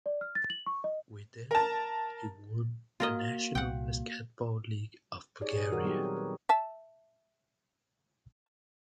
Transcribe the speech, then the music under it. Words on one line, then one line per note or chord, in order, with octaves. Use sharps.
With them he won the National Basketball League of Bulgaria.
D5
F6
A6
F#7
C#6
D#5
A#4 A5
A#3 F4 F#4 A#4 D#5 F5
C2 A#2 F#5 G5
D#4 G4 G#4 C#5 D5
A#2 G#4
D#3 F#4 A4 A#4 C5
F#3 G3 B3 D#4 F#4 G4
C4 C#5
B4
E5 A5